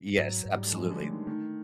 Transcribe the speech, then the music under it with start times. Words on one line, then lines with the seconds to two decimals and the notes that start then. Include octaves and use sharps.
Yes, absolutely.
0.18 G#2 F#3
0.45 G#2
0.54 G3
0.66 A3
0.73 F3 G#3
0.91 D3
1.00 A3
1.09 D#3
1.27 D#3 A3